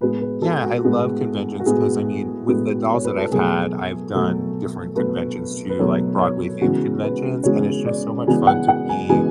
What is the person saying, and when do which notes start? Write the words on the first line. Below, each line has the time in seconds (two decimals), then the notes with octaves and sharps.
Yeah, I love conventions 'cause, I mean, with the dolls that I've had, I've done different conventions too, like Broadway themed conventions, and it's just so much fun to be
0.01 A2 G#3 B3 B4
0.21 B4
0.42 A4
0.62 F#4
0.84 A2 G#3 B3
1.60 F#4
1.66 A2 G#3 B3 G#4
2.49 A2 G#3 B3
2.93 C#5
3.05 B4
3.18 A4
3.32 B2 F#3 A3 G#4
4.14 B2 F#3 A3
4.96 B2 F#3 A3 B4
5.70 B4
5.79 B2 F#3 A3 C#5
6.20 C#5
6.61 C#3 E3 G#3 B3 F#4
7.03 B4
7.44 C#3 E3 G#3 B3 C#5
7.86 D5
8.27 C#3 E3 G#3 B3 G#5
8.47 F#5
8.68 F#5
8.89 G#5
9.09 C#3 E3 G#3 B3 G#5